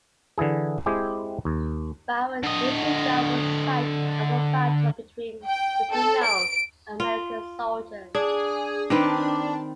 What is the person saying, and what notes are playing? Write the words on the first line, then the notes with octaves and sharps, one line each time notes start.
Barrio Isugan was site of a battle between Filipino and American soldiers.
D3 E3 E4 G#4
G#3 C4 E4 G4 G#4
D#2
D3 D#5
G5
A4
D7
F4
D4 G#4
D#3 C4 D4 B4